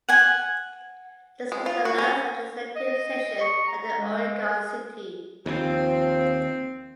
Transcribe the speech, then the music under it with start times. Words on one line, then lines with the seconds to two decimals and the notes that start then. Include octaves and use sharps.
This was the last legislative session held in Oregon City.
0.09 F#5 G#5
1.52 G#3
1.66 F4
1.85 F#4
1.98 C#4
2.76 D#5
3.41 C#6
3.67 A#5
3.98 G#3
5.46 D#2 F3 C4